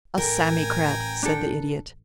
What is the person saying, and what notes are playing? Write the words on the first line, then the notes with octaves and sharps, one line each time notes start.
"A Sammycrat," said the Idiot.
A1 A#4 G5 G#5 A#5
D4 A4